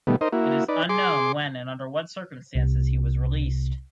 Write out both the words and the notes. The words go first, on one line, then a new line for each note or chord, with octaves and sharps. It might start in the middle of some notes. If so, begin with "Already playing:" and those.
It is unknown when and under what circumstances he was released.
B2 D#3 G3 A3 B3
D#4 A#4 C5 D#5
A#3 E4 F#4
D#4 B4 D5
G#4 C6 D6
C2 C3